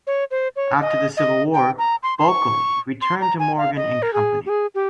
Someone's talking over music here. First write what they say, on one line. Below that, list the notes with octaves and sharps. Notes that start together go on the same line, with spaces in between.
After the Civil War, Bulkeley returned to Morgan and Company.
C#5
C5
C#5
D#5
D#5
G5
A#5
C6
C6
C#6
C6
A#5
G#5
F5
D#5
A#4
G#4
G4
G#4
G4